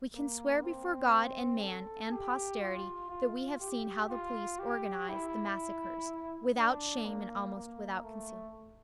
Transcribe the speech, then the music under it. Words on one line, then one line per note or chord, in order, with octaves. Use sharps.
We can swear before God and man and posterity that we have seen how the police organise the massacres, without shame and almost without concealment.
A#3
C4
A4
G4
F4
F4
G4
F4
G4
E4
D4
A#3
A#3
A3